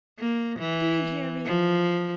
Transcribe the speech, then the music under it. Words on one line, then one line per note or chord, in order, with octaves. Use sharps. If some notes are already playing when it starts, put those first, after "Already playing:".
Do you hear me?
A#3
E3
F3